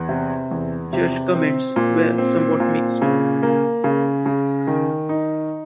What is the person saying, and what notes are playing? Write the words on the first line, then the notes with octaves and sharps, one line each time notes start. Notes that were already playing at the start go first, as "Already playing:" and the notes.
Judge comments were somewhat mixed.
Already playing: E2
C3
E2
C3
C4
A#2
C4
A#2
C#3
A#3
C#3
C#3
D#3
D#4